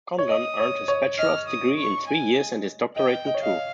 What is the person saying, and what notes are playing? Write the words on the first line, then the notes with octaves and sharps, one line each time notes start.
Condon earned his bachelor's degree in three years and his doctorate in two.
C#5
D#5 D#6
C#5
C#5
D#5 F6
D#6
C#6
G#5
D#5 G5
D#5
C#5
D#5 F5